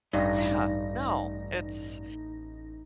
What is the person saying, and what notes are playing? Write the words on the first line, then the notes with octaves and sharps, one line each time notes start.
Yeah. No, it's
A1 G2 D#4 A#6